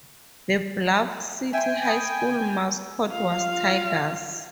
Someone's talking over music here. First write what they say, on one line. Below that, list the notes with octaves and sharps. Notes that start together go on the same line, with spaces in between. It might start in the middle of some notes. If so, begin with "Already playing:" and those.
The Bluff City High School mascot was Tigers.
E5 G5 G#5 C6
B4 D#6
F4 F5